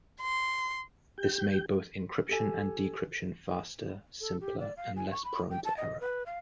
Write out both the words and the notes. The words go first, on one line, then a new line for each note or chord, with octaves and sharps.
This made both encryption and decryption faster, simpler and less prone to error.
C6
G4 G6
G4 A4 G#5
A4
G4
D5
F5
G#5
C#6
B5
G5
A5
D#5
B4
F5